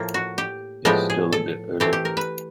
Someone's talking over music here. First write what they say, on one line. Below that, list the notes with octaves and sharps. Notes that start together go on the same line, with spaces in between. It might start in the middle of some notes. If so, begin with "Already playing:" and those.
It's still a bit early.
Already playing: A2 F3 A#3
F#4
G4
A2 F3 G#3 B3 G4
G#4
A4
E3 A3 C4 G4
G4
A#4
B4